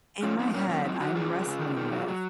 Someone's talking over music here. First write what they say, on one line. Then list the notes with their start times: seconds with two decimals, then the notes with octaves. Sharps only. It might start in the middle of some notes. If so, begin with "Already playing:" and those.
in my head, I'm wrestling with
0.23 F3 C#4 F4
0.39 F3 C4 D#4
0.54 A#2 A#3 C#4
0.70 F#3 A#3 C#4
0.85 F#3 C4 D#4
0.95 F4
1.00 F#3 D#4 F#4
1.15 F2 F4 G#4
1.30 C#3
1.46 C#3
1.61 D#3
1.77 D#3
1.92 F#3
2.08 F#3